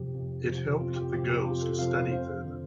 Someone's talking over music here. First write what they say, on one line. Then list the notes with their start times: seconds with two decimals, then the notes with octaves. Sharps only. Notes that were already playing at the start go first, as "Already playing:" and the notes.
It helped the girls to study further.
Already playing: F2 C3 F3 G4
0.14 F2
0.48 C3 F3
0.80 F2 F4
0.96 G4
1.13 C3 F3 G4
1.29 G4
1.46 F2 F4
1.62 A4
1.79 C3 F3 F5
1.95 F5
2.11 F2 C5
2.44 D3 F3